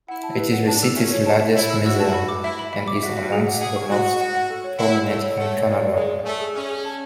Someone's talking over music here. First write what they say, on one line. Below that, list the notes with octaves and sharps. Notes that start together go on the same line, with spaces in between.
It is the city's largest museum and is amongst the most prominent in Canada.
E4 F#5
A5
B4
F#5
D4 A5
E6
C#4 E5
C#5
A5
E5
E4 E5
E6
F#4 E6
A5
B5
D6
E4 E5
B5
E5
D6
F#4 E5
E5
G#4
F#5
G#4 F#5
C#6
F#4 C#6
C#6
F#5
F#5
A4
C#5
E4 F#5
F#5
A3 A4
C#5
A3 F#5
C#5
G#3 D5
D5
G#3 G#4
D5
A3 G#5
G#4
C#4 G#4
G#4
A5